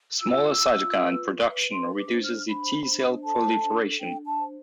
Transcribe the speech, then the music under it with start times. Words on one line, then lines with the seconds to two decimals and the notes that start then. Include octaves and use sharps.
Smaller cytokine production reduces the T cell proliferation.
0.21 F4 E6
0.59 F4
0.97 B4
1.35 B4
1.72 D4 C6
1.98 D6
2.10 C5
2.23 F6
2.48 D4 B5
2.86 C5
3.24 A4 A5
3.62 D4
4.00 D4 G5
4.26 A5
4.38 C5